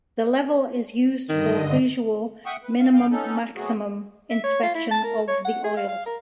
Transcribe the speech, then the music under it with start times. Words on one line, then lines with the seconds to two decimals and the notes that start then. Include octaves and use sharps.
The level is used for visual minimum-maximum inspection of the oil.
1.29 G2 D3 D#3 D#5
2.46 E5 F#5 G5 C#6 D#6
2.63 B4
2.79 A3 F5
2.93 G2 D3 A#3 F5 G5
3.11 B3 C#4 D#4 A4
3.56 C3 F#3 A3 B3 F#4 G#4
4.30 E5
4.43 C#5
4.63 F4
4.74 E4
4.91 A5
5.04 A#4
5.28 C#5
5.45 F#5
5.64 G#4
5.77 F5
5.88 F5
6.06 A#4